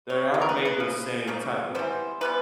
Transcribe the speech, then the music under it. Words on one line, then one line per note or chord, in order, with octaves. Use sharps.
They aren't made with the same type of,
C#5
C3 F3
A#4
B4
B4
C#3 F3
C#3 F3 A#3
E3 G3 B3 C5
E3 G3 B3 B4